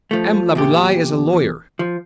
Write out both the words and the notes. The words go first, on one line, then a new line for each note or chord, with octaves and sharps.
M. Laboulaye is a lawyer.
F3 A3
E2 A#2 G4
F3